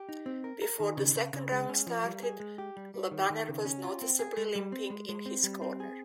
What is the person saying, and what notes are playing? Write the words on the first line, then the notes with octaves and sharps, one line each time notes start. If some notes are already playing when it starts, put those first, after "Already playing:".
Before the second round started, LeBanner was noticeably limping in his corner.
Already playing: G4
D#4
C4
A#4
A#4
D#3
C#3
C#3
C#3
G#3
C#4
F3
G3
G#4
G#3
G4
G3
G3
D#3
D#3
C#3
C#4
F4
C4
G#4
G#3
G3
C4
G#3
G#3
C4
G3
C4
G#4